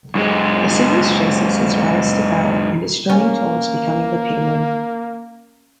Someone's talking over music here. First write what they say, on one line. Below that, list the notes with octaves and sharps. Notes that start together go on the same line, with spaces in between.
The series traces his rise to power and his journey towards becoming the Penguin.
F#2 G#3
A#3 C#4